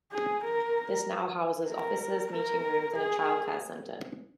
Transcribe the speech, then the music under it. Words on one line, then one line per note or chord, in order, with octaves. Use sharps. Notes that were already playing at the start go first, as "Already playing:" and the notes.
This now houses offices, meeting rooms and a childcare centre.
G#4
A#4
A#4
A#4
G#4